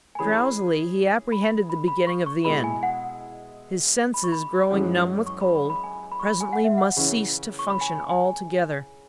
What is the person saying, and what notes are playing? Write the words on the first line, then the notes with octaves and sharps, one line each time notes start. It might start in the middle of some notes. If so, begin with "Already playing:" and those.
Drowsily he apprehended the beginning of the end. His senses, growing numb with cold, presently must cease to function altogether.
G#5
E3 C#4 G#4 B5
B5
B5
B5
C#6
C#6
B2 G#3 E4 B5
G#5
F#5
B5
C#6
B5
F#2 E3 G#3 C#4
C#6
B5
B5
B5
G#5
B5
C#6
B5
G#5
F#5
E5
F#5
C#3 E3 C#4
C#6
B5
G#5
G#5